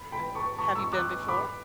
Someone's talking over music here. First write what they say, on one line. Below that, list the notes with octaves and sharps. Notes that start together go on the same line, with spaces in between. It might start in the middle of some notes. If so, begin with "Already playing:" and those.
I know. Have you been before?
Already playing: B5
G5 B5
A5 C#6
A5 C#6
C#6 E6
D6 F#6
B5 D6